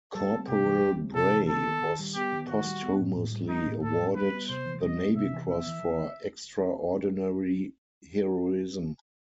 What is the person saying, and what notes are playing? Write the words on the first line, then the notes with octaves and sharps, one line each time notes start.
Corporal Bray was posthumously awarded the Navy Cross for extraordinary heroism.
G3 A4
C4
C3 G4
E3
G3
C4
C3 A4
E3
B3 A4
D#3
D#3
G3
B3 G4
D#3
D#3 F#4
G3
B3
A2
A2
G3
B3 D#4
A2
A2 A4
G3
G3 B4
B3
C3 C5
E3
G3 D#5
B3
C3 E5
E3
B3 E5
E3
E3